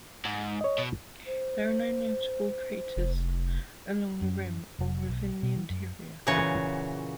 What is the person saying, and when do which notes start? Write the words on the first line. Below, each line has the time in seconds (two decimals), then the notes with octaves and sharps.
There are no notable craters along the rim or within the interior.
0.25 G#2
0.61 C#5 D#5
0.78 B2
1.27 C5
2.96 F1
4.22 F#2
4.79 F1
5.09 B1
5.43 B2
5.56 E3
5.70 F#2
6.27 A#2 C#3 E3 F#4 C#5